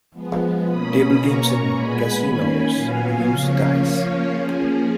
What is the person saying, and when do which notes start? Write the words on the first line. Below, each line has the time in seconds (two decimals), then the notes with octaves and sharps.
Table games in casinos use dice.
0.13 F3 G#3 B3
0.65 B2 A#3 C#4 B5 D#6
1.18 B2 A#3 C#4 A#5 C#6
1.69 A#2 G#3 B3 G#5 B5
2.21 D#3 A#3 C#4 G#5 B5
2.74 A#2 F#3 B3 F5 G#5
3.26 C#3 F3 A#3 C#4 C#5 F5
3.78 F3 A#3 C#4
4.30 F3 A#3 C#4 G#4